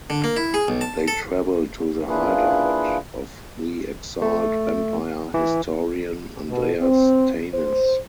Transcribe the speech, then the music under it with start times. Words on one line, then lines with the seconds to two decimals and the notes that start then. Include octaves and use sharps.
They travel to the hideout of the exiled vampire historian Andreas Tanis.
0.10 D3
0.24 A#3
0.37 E4
0.54 G#4
0.68 B1
0.81 A5
1.08 A4
2.07 A#3 D4 E4 F4 G#4 B4
4.22 A3
5.34 E3
6.49 B2
6.82 C4
7.53 C5